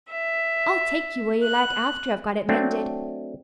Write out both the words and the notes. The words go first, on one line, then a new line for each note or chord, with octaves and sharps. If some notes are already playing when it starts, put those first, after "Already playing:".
I'll take you where you like after I've got it mended.
E5
F#6
F#3 A3 C4 D4